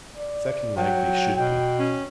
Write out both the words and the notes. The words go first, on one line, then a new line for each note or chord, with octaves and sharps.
Secondleg they should be.
D5
F#3 G5
B2 G5
C#4